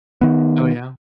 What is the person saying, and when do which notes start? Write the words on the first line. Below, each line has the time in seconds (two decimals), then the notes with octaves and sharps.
Oh, yeah.
0.21 D#3 B3